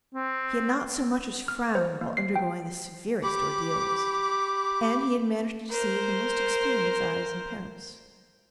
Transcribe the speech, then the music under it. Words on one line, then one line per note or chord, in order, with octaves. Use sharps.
He had not so much as frowned while undergoing the severest ordeals, and he had managed to deceive the most experienced eyes in Paris.
C4
F6
C5
A#3
C7
G5
G4 B5 D6
A#4 C5